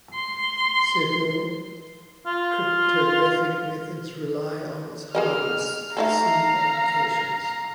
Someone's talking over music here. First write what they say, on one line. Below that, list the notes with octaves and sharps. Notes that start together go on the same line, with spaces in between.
Several cryptographic methods rely on its hardness, see Applications.
C6
F4
G#4 A#4 D#5 F6
A3 D#4 A4 F5 A#5